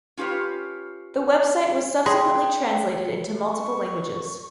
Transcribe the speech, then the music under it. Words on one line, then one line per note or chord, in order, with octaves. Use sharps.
The website was subsequently translated into multiple languages.
C#4 F4 G4 B4 C#5
G#4 G5 C6
C#6